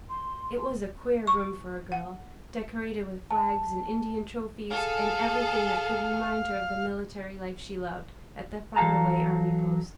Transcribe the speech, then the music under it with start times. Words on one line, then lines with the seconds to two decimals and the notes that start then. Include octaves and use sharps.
It was a queer room for a girl, decorated with flags and Indian trophies and everything that could remind her of the military life she loved, at the far-away army post.
0.10 C6
1.27 C#6
1.92 F#5
3.31 A5
4.71 G#4 A4 F5
8.76 E3 F#3 A4 F5 A5 A#5